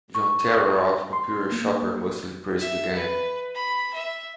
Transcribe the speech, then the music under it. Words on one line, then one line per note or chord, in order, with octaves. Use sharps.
John Terra of "Computer Shopper" mostly praised the game.
C#6
C6
A#3
E5
B4
B5
E5